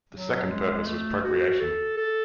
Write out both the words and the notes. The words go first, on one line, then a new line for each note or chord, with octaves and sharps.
The second purpose was procreation.
F#3
G#3
A3
F#4
A4
A4